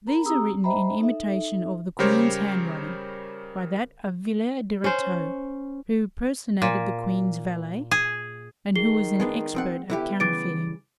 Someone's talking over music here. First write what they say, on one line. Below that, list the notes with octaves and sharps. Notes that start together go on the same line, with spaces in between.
These are written in imitation of the Queen's handwriting, by that Villette de Retaux who personated the Queen's valet, and who was an expert at counterfeiting.
A#4 A#5 B5
C4 G4 G#4 A#5 D#6 E6
C5 D#5 E5 G5 A#5 B5
D#4 A4 E5
C#3 G3 G4 A#4 C5 C#5
C#4 C5
A#2
G#4
D#3 G#4 C7 G7
G#3 B3 D4
F3 C4 F#5
D3 B3 E4 G4
C#3 E3 G3 D6 A6 D7